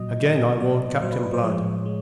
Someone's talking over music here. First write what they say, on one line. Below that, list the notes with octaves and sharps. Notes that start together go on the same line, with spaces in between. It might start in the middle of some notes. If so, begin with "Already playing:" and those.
Again I warn Captain Blood.
Already playing: A#2 F#3 D#5
A#2 F#3
A#2 F#3 D5
A#2 F#3 C5
B4
B4
C5
A2 F3 G#3 C#5
G#3